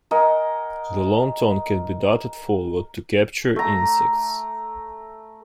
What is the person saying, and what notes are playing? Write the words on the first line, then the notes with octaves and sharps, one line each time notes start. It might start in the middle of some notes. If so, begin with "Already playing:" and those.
The long tongue can be darted forward to capture insects.
A#4 D#5 F#5 G#5
A3 A#5